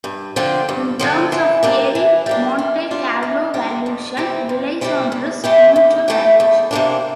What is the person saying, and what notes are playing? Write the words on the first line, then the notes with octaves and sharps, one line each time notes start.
In terms of theory, Monte Carlo valuation relies on risk neutral valuation.
G2
D3 F3 C4
G2
D3 F3 C4
E3
G3 A#3 D4
E3
G3 A#3 D4
E3
G3 D4 F4
E3
G3 D4 F4
F2
C3 E3 G3 C4
F2
C3 E3 G3 C4
E2
E3 A3 E4 G4
E2
E3 A3 E4 G4
E2
C3 E3 A#3 D4